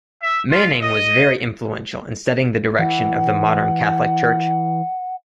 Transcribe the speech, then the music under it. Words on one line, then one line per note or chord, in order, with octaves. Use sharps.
Manning was very influential in setting the direction of the modern Catholic Church.
E5
F4
D#5
E3 F#5